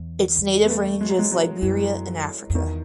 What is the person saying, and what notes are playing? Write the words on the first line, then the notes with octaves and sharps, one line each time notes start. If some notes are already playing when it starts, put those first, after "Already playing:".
Its native range is Liberia in Africa.
Already playing: E2
B3
A3
G#3
F#3
G#3
F#3
F#2 E3
F#2
E2 D#3